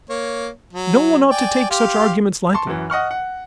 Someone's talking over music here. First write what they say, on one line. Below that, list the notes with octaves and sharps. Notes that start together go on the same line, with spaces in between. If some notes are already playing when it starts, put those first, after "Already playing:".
No one ought to take such arguments lightly.
A#3 C#5
F#3
D5 G5 G#5
G4 F5 C6
A5 C6 C#6
F#2 E3
D#5 F#5 C#6 F6
F#5